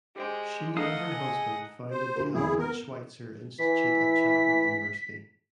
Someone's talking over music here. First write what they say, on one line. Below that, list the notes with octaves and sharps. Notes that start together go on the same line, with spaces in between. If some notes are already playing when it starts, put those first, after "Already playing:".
She and her husband founded the Albert Schweitzer Institute at Chapman University.
G#3 G4 C5 G5
A3 D#4 A4 D#5 F5 F#5 D#6
G#4
C5
D2 G4 A#4
E2 C3 E3 E4 G#4
B3 A#4
E3 B6